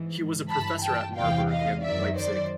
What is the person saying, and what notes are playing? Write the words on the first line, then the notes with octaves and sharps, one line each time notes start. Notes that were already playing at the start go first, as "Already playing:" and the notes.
He was a Professor at Marburg and Leipzig.
Already playing: G#2 E3
G2 E3 A5 B5
G5 A5
E2 C3 E3 F5 G5
D#5 F5
F#2 D#3 F#3 D5 E5
C5 D5